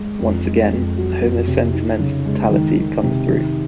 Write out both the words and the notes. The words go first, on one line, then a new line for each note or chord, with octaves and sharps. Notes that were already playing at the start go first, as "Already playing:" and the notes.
Once again, Homer's sentimentality comes through.
Already playing: G#3
F2
G#3
F2
F#3
F2
C3
D#4
C#3
G#3
D#3
D#3
C3
D#3